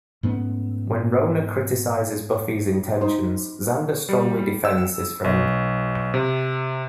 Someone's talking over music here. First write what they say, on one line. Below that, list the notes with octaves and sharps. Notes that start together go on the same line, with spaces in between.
When Rona criticizes Buffy's intentions, Xander strongly defends his friend.
G#2 A3 B3 C#4
D#4 C5
G3
E6
B1
C3